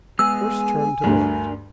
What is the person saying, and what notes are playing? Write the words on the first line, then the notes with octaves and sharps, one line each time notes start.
First turn to the left.
G#3 B3 G#4 G#5 E6
D2 G2 D4 A#4